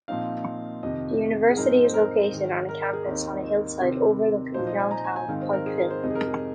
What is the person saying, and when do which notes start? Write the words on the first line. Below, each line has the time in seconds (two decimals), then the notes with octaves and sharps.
The university is located on a campus on a hillside overlooking downtown Pikeville.
0.08 A#2 F3 C4 D#4 F5
0.83 F2 C3 D#3 D#5
1.50 G#4
1.57 G#2 F3 C4 D#4 A#4
1.84 C5
1.94 A#4
2.32 G#2 D#3 G#3
2.69 A#4
2.81 A#4
2.93 G#4
3.05 D#2 D#3 C4 D#4 A#4
3.80 C3 D#3 C4
4.54 A#2 F3 A#3 D#4 C5
4.67 D#5
4.80 G#5
4.91 A#5
5.04 G#5
5.16 G#5
5.28 G#2 D#3 C4 D#4 F5
5.42 C5
5.53 A#4
5.66 G#4
5.78 A#4
5.90 C5
6.03 F2 C3 G#3 D#4 D#5
6.10 G#4
6.15 A#4
6.28 G#4